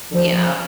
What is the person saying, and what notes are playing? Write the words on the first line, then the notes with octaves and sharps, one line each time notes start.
you know,
D2 D3 F3